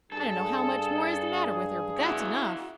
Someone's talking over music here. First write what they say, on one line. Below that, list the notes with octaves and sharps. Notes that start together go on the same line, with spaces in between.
I don't know how much more is the matter with her, but that's enough.
G2 G#4 A4
E4 F#4